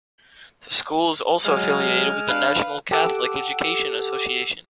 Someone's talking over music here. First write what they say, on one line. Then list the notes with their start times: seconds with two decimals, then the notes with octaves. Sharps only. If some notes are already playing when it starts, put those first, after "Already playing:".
The school is also affiliated with the National Catholic Education Association.
1.45 F#3 G#3 F6
2.29 D4 B4 F5
2.91 G4 A4 F#5 D6 E6